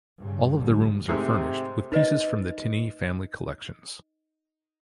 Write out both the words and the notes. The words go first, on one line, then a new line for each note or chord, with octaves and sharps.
All of the rooms are furnished with pieces from the Tinney Family collections.
G2 C#3
G1 D2 A2 D3 F#3 G3
G#2 C3 G#3 A3
D#4 B4 D#5